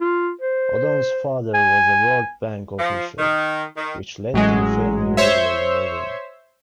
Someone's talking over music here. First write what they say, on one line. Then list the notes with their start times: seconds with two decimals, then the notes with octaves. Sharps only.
Odone's father was a World Bank official, which led to the family regularly moving.
0.01 F4
0.41 C5
1.54 G#5
2.79 F3
3.19 D#3
3.77 D#3
4.33 A1 F#3 G#3
5.17 C5 C#5 E5